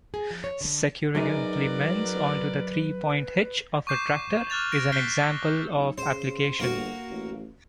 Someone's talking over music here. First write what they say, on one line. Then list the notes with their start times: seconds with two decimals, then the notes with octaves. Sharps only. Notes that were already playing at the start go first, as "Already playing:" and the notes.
Securing implements onto the three-point hitch of a tractor is an example of application.
0.14 G#4
0.31 F3
0.44 C#5
0.61 D3
1.15 F#2 F#3 G#3 D#4 A#4 B4 D5
3.87 C#6 D6 G6 C7 E7
4.50 D6 F6 F#6 A6 F7
4.72 A#6 D7
4.92 F#6 G6 B6 C7 G7
5.75 B1
5.98 C#3 C5
6.60 G1 A#3 F#4
7.10 A1